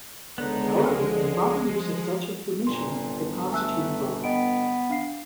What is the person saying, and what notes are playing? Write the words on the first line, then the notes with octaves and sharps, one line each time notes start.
However, improper use of such information could constitute fraud.
C#2 D3 G#3 B3 D#4
F3
F3
G1 A#2 C6
A3 G#5 E6 F#6
B3 D#5 G5 D7
D4 F5 C7